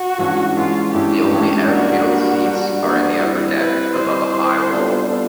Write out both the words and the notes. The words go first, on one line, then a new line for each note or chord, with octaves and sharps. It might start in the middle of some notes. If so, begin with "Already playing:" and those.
The only outfield seats are in the upper deck, above a high wall.
Already playing: F#4
G2 E3 G#3 C#4 E4
G2 E3 G#3 C#4 E4 F4
G2 E3 G#3 C#4 E4 G4
G2 E3 G#3 C#4 E4
G3 A#3 D4 F#4
G3 A#3 D4
G3 A#3 D4
G3 A#3 D4 F#4
G3 C4 E4
G3 C4 E4 B4
G3 C4 E4 C5
G3 C4 E4
G3 B3 D4 F4 A4
B3 D4 F4 A4